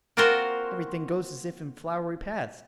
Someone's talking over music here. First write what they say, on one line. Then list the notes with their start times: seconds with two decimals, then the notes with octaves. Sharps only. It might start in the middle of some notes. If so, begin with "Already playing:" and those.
"Everything goes as if in flowery paths."
0.17 A#3 C4 F4 F#4 A#4 C5